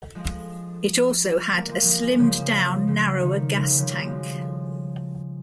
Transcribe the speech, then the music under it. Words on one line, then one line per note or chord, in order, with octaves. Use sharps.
It also had a slimmed down narrower gas tank.
F3 G#3
G3 A#3
F3 G#3
F3 G#3
F3 G#3
G3
C#3 F3
C#3 F3
D#3 G3
C#3 F3
C#3 F3
G3
F3 G#3